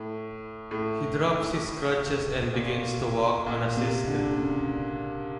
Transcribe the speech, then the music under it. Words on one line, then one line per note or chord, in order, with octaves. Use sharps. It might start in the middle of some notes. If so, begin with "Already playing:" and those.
He drops his crutches and begins to walk unassisted.
Already playing: A2
A2
A#2
A#2
C3
D3
C#3